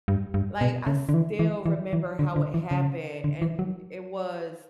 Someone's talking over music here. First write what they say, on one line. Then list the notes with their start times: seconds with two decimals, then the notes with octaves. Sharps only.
like, I still remember how it happened, and it was
0.08 G2
0.34 G2
0.61 B2
0.87 C#3
1.09 D3
1.14 E3
1.39 E3
1.66 E3
1.93 E3
2.19 D3
2.36 D3
2.54 E3
2.71 C#3
3.24 D3
3.42 E3
3.59 F#3